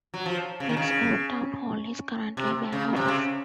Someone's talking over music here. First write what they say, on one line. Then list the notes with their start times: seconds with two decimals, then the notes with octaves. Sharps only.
Its old town hall is currently a bank office.
0.14 F#3
0.26 F3
0.60 C#3
0.69 D#3
0.77 C#3
2.37 C3
2.72 C#3
2.96 C3
3.08 C#3